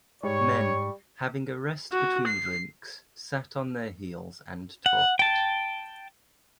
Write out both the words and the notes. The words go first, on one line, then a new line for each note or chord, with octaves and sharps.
Men, having a rest between drinks, sat on their heels and talked.
G#2 G3 C#5 C#6
F#4
C7
F#5
G5 A5